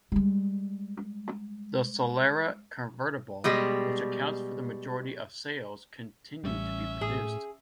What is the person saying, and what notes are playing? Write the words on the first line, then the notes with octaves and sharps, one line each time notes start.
The Solara convertible, which accounts for the majority of sales, continued to be produced.
G3 G#3
B2 G3 G#3 G4
A1 G3 C#4 E5
A2 G#4